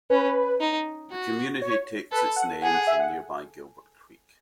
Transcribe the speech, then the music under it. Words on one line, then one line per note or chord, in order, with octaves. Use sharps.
The community takes its name from nearby Gilbert Creek.
C#4 B4
D#4
F#4
C#5
A4 B4
F#5
G#4 F#5
F#5
E5
F#5